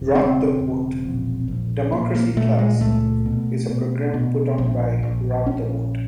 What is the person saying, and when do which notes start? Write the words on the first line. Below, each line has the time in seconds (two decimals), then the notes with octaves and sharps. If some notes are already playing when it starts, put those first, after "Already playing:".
Rock the Vote: Democracy Class is a program put on by Rock the Vote.
Already playing: E1
0.15 C#3 C4
0.59 E1
1.04 A#1
1.48 A#1
1.92 A#2
2.15 A#3
2.37 A#2 A3
2.59 G#3
2.80 C#2 A3
3.26 B2
3.69 B2
4.14 B2
4.58 A#1
5.03 A#1
5.46 A#1 C#4